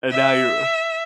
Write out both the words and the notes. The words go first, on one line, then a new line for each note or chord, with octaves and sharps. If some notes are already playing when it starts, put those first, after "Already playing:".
and now you're
E5